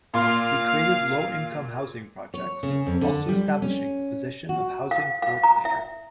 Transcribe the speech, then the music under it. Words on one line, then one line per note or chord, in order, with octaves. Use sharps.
He created low-income housing projects, also establishing the position of housing coordinator.
A#2 F5 C6
C#5
C#3
F2
D3
G3
C#4
F#4
F5
F5
A#5
E5